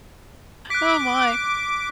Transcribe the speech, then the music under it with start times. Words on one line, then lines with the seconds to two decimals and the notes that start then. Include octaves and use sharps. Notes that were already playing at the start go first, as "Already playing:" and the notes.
Oh my.
0.70 D6 F#6 B6